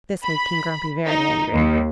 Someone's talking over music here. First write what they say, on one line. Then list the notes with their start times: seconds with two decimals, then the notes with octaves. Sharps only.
This made King Grumpy very angry.
0.22 B5
1.07 D#4
1.54 D#2